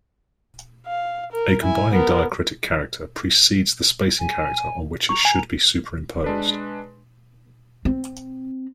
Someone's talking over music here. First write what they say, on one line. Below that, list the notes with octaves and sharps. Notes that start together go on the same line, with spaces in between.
A combining diacritic character precedes the spacing character on which it should be superimposed.
F5
A#4
E4 G#5
B3 A#4
G#5
A#5 C#6
G#5
G#3 D4 B4
C4